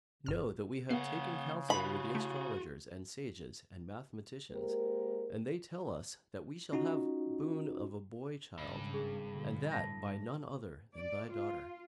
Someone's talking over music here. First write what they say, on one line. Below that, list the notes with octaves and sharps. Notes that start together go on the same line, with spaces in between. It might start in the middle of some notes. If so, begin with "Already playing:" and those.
Know that we have taken counsel with the astrologers and sages and mathematicians, and they tell us that we shall have boon of a boy child, and that by none other than thy daughter.
G1 F6
C#3 A#3 B3 F#5 C7
F4 F#4 B5
A3
G#3 A#3 G4 A#4 C5
C#4 D#4 F4 F#4
G#1 G2 C#3
G#4
B2 D3
A2 A5 A#6
D5
F4